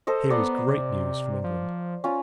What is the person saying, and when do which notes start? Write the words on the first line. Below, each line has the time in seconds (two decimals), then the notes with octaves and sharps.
Here is great news from England.
0.07 A4 C5 D#5
0.30 B3 D5 A#5 C6
0.68 C3
1.44 F3
2.04 C#4 F4